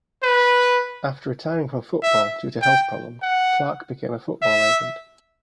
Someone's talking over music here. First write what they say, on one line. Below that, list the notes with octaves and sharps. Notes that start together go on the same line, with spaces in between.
After retiring from football due to health problems, Clarke became a football agent.
B4
E5
G5
F#5
E5